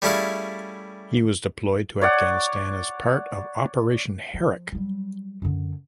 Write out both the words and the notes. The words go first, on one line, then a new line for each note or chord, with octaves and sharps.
He was deployed to Afghanistan as part of Operation Herrick.
G3 A3 C#4 E4 G#4 F5
C#5 D5 F#5
F3
F#3 G3
F#2 D3